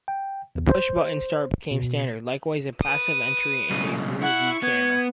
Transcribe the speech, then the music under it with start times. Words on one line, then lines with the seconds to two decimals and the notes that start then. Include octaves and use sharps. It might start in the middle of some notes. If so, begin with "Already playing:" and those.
The push-button start became standard, likewise a passive entry and a rear-view camera.
0.08 G5
0.55 E2
0.70 C5
1.71 B2
2.82 B4 D#6
3.70 B1 C#3
4.22 E4 F#5 C#6
4.63 B3 G#6